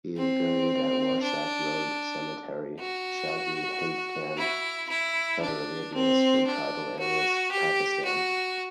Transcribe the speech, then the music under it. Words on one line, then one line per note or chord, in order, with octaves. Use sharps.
He is buried at Warsak Road Cemetery, Shagi Hindkyan, Federally Administered Tribal Areas, Pakistan.
C4
D4
F#4
E4
E4
D4
C4
D4
F#4
G4
F#4